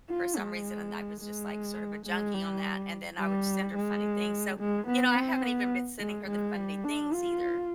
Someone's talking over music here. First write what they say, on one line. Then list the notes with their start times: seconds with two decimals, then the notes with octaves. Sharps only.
for some reason and I was just, like, sort of a junkie on that, and then I would send her funny things, so, you know, I haven't even been sending her the funny things either
0.09 F4
0.37 G#3
1.21 G#3
2.06 G#3
2.34 G3
3.19 G3
3.75 G#3
4.60 G#3
4.87 B3
5.15 C4
5.43 B3
6.00 G#3
6.28 G#3
6.56 G3
6.84 D4
7.13 F4